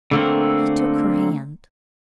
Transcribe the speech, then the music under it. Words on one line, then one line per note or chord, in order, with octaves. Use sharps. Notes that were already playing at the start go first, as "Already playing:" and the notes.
He took her hand.
D3 A3 A#3 C4